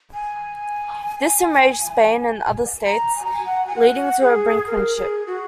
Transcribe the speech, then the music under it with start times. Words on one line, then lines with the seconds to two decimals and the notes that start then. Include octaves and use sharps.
This enraged Spain and other states, leading to brinkmanship.
0.14 G#5
2.86 A#5
3.16 G#5
3.25 A#5
3.34 G#5
3.46 F#5
3.67 G#5
3.76 F#5
4.21 G#4
4.67 A#4
4.96 G#4
5.27 F#4